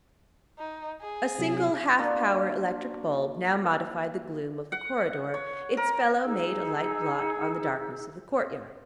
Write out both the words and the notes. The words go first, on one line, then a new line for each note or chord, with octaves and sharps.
A single half-power electric bulb now modified the gloom of the corridor; its fellow made a light blot on the darkness of the courtyard.
D#4
G#4
C3 F#3
A#3 D4 F#4 C6
F#5
C#5
A#4
D#4 G#4 E6